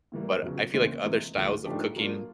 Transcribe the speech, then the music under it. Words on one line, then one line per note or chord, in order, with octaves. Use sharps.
But I feel like other styles of cooking
A2 E3 G3 A#3
F2 C#3 F#3 B3
D#2 C#3 E3 G#3 C4
C3 E3 G#3
D2 D3 F3
G#2 F3 A3 D4 G4
F#3 A#3 D4 F4